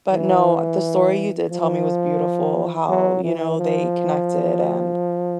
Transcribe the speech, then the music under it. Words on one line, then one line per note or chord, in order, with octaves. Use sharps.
But, no, the story you did tell me was beautiful, how, you know, they connected and,
E3
F3
F#3
E3
F3